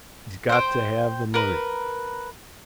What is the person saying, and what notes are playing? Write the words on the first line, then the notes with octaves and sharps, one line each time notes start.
He's got to have the money.
C5 G5
A#4 B4